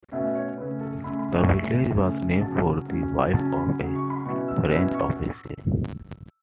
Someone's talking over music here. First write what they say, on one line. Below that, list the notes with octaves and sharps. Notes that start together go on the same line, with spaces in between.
The village was named for the wife of a French official.
B2 A3 C#4 E5
E5
C#5
C#3 A3 C#4 B4
A4
C#3 A3 C#4 B5
B5
C#6
C#3 A3 C#4
C#3 A3 C#4
C#3 F#3 C#4 A5
C#3 F#3 C#4
C#3 F#3 C#4 A5
B5
C#3 F#3 C#4
C#6
B5
B2 F#3 C#4 E4 C#6
E6
B2 F#3 C#4 E4 E6
C#6